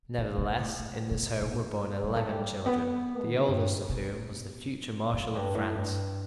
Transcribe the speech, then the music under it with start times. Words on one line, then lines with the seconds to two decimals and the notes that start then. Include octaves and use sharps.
Nevertheless in this home were born eleven children, the oldest of whom was the future Marshal of France.
0.18 D3
0.38 B2
0.58 A2
0.79 A2
1.11 B2
1.42 B2
2.03 G3
2.16 A3
2.29 G3
2.66 B3
3.28 D3
3.48 G2
3.89 B2
5.13 F#2
5.35 G2
5.55 A2
5.75 G2